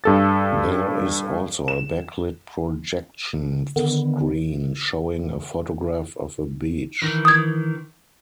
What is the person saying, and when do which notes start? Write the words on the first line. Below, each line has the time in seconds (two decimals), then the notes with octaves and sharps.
There is also a back-lit projection screen showing a photograph of a beach.
0.04 G2 A4 A6
1.68 E7
3.76 D3 D#3 B3
7.02 D#3 E3
7.25 D#6 G#6